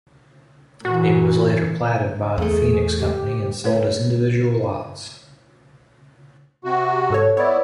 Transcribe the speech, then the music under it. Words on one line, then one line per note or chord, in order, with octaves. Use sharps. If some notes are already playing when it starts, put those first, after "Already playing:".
It was later platted by the Phoenix Company and sold as individual lots.
A#2 E3 F#4
E2 A3 G#4
G4
A3 B4 C#5
C3 F#4
G#2 A4 C#5
B3 E4 C#5 D5